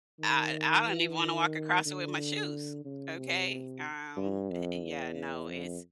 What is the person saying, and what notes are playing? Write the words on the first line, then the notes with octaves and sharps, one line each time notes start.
I e I don't even wanna walk across it with my shoes. Okay, um, eh, yeah, no, it's
D#3
E3
D#3
D3
C#3
C3
G2
F2
E2
F2